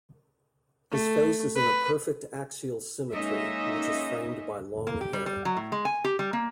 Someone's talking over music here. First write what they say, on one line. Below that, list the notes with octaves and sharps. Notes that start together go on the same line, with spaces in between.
His face is in a perfect axial symmetry which is framed by long hair.
A3
B4
G#3 A#3 C#4 D#4 D#5 E5
A#3
G4
G3
G3
F#3
A2
G#3
G#5
G4
G3
A#3